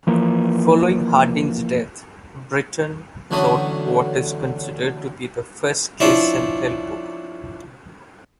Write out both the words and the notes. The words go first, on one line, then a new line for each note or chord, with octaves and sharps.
Following Harding's death, Britton wrote what is considered to be the first kiss-and-tell book.
E3 F3 A#3
A1 D3 F#3 A3 D#6
F3 C#4 D4 E4